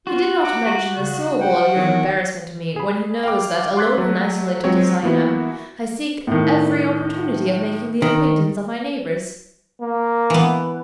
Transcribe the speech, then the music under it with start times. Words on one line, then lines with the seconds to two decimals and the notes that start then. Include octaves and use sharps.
He did not mention a syllable of your embarrassment to me, when he knows that, alone and isolated as I am, I seek every opportunity of making the acquaintance of my neighbors.
0.07 F4 F#4
0.43 F#5 A#5 D6
0.67 F#4
0.98 C#3
1.41 F#5 G5
1.76 E2 D#3
2.76 G#4 B5
3.23 F5 G5 D6
3.77 C6 D6 F#6 G#6 A6 B6
3.98 F#3 A3
4.64 F#3 G#3 C4 F4 C#5
5.03 E3 A#3 B3 E4 F#4
6.27 A2 D#3
8.02 D#3
9.81 A#3
10.30 E3 B3